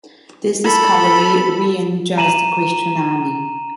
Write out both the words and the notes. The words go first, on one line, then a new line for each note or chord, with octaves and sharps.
This discovery re-energized the Christian army.
A4 B5
A#5 D#7 E7 F#7